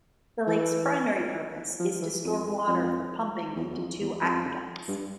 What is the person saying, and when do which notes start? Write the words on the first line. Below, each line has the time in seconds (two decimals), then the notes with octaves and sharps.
The lake's primary purpose is to store water for pumping into two aqueducts.
0.47 E3
1.80 F3
2.01 E3
2.24 F2
2.68 F2
3.56 E2
3.70 E2
3.78 F2
4.00 E2
4.22 F2
4.88 G2